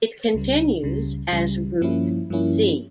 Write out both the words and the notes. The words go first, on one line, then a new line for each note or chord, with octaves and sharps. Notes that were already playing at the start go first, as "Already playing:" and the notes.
It continues as Route Z.
C#2 C#3 G3
C#2 C#3 G3
C#2 C#3 G3
G2 F3 A#3 C#4 E4
G2 F3 A#3 C#4 E4